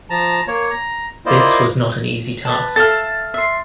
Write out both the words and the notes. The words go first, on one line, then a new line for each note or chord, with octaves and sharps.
This was not an easy task.
F3 A5 A#5
A#3 C#5
A#5
A#3 E4 F4 C5 D5 D#5
B4 A5
A4 E5 F5 F6 A6
E5 C6